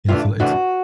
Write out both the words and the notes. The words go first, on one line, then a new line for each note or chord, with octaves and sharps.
Yeah, so, li it's
C3 E3 A3 D4 F4
C3 E3 A3 D4 F#4